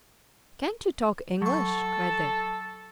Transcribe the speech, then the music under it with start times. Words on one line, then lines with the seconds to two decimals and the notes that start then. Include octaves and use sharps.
"Can't you talk English?" cried Dick.
1.42 F#3 A4 C#6